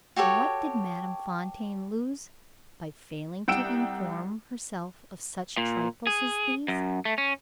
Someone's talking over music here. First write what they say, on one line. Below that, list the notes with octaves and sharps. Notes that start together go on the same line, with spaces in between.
And what did Madame Fontaine lose, by failing to inform herself of such trifles as these?
F#4 G4 A4 C#5
C2 F#5 G5 E6 D7 E7
A#2
G#4
F#2
A3
C#4